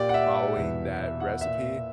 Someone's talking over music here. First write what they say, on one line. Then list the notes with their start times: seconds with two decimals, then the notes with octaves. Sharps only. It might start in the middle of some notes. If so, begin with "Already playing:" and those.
following that recipe.
Already playing: A#2 G4 D5
0.09 F#5
0.14 E5
0.57 E2 B2
0.99 E5
1.20 F#5
1.41 A#2 E5